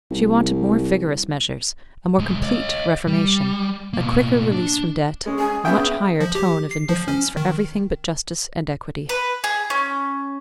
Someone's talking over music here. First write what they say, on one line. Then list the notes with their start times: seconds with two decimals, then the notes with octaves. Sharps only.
She wanted more vigorous measures, a more complete reformation, a quicker release from debt, a much higher tone of indifference for everything but justice and equity.
0.11 C2
2.19 B1 G#3
2.43 C#5 D#5
3.07 G3
3.93 B2 A#3
4.52 D4
5.26 G#3 C#4 G#4
5.39 G#5
5.65 B3 C#4 E5 G5
6.21 F3
6.35 G4
6.71 C7
6.89 F3
7.08 C#4
7.37 D#3
9.09 B4
9.44 G#4
9.70 C#4